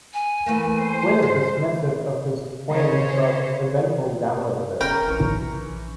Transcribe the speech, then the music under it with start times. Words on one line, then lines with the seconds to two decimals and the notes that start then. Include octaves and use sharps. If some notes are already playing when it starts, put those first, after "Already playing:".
Quinn is dismissive of his claims but eventually downloads it.
0.14 G#5
0.46 E3 A3 A#3
0.79 C5
1.22 G#2
2.71 C#3 C5 C#5
4.81 F1 B3 C#4 A#4 G5 C#6
5.07 A#1 E3 C#4 C#6